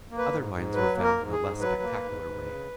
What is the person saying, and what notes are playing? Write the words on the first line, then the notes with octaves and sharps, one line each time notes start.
Other mines were found in a less spectacular way.
A#3
B4
G#2
G#2
F#3 B4
A#3
A#4
G#2
G#4
G#2
F#3 B4
A#3
G#2
G#2
C#3